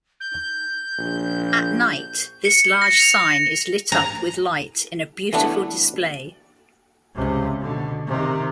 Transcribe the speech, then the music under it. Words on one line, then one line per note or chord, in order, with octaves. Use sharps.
At night, this large sign is lit up with light in a beautiful display.
G6
A#1
C#7
A#6
F7
A#5
E3 A3 B3 D4
C#2 C3
B2 D3
C3 D#3